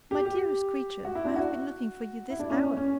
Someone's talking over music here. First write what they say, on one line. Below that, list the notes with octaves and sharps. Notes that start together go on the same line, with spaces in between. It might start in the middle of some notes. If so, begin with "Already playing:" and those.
My dearest creature, I have been looking for you this hour.
G4
G4
F#4
E4
D4
F#4
E4
D4
C#4
C#4
C#4